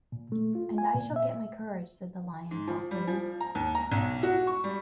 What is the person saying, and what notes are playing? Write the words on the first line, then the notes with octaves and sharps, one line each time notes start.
"And I shall get my courage," said the Lion, thoughtfully.
A#2
A3
F4
G#5
A#2
E5
G#2
F3
G3
F3
A#5
D#2
A#5
B1
F#4
C#6
G3